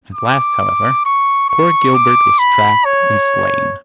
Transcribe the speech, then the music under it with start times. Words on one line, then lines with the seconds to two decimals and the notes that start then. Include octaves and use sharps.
At last, however, poor Gilbert was trapped and slain.
0.15 D6
1.05 C#6
1.49 C#6
1.94 D6
2.39 B5
2.85 C#5